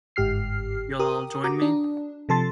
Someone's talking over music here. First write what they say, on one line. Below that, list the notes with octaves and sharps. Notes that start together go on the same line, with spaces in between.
You'll join me?
G1 G#2 G4 F6 C7
G4 A#4 D#6
F#4 A#5 D6 D#6
D4
C3 F3 A4 A5 C6 A6